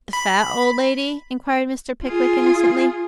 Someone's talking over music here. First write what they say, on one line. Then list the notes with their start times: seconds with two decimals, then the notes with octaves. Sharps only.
'The fat old lady?' inquired Mr. Pickwick innocently.
0.13 B5
2.04 F4 G#4